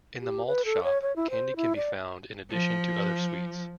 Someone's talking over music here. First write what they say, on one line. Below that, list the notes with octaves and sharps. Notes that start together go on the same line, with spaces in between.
In the malt shop, candy can be found in addition to other sweets.
G4
B4
A4
C#5
C#5
E4
C5
E4
D5
F3